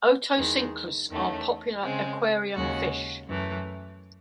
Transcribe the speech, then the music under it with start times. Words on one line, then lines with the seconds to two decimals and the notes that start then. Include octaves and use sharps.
"Otocinclus" are popular aquarium fish.
0.36 E2 D#3 G#3
1.09 E2 D#3 A3 C#4
1.82 C#3 G#3 C4
2.54 D#2 C#3 G#3 C#4 F#4
3.27 F#2 E3 A3